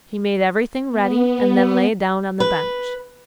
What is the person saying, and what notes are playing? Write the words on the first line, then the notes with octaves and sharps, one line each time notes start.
He made everything ready, and then lay down on the bench.
B3
B4